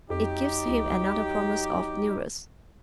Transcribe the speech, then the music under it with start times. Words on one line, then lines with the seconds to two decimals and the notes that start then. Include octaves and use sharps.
It gives him another promise of "newness."
0.10 F2 F#3 D#4 G4
0.68 C#2